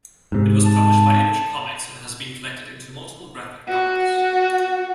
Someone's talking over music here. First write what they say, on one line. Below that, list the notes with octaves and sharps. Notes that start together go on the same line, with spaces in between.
It was published by Image Comics and has been collected into multiple graphic novels.
G#2 C3
A5
F#4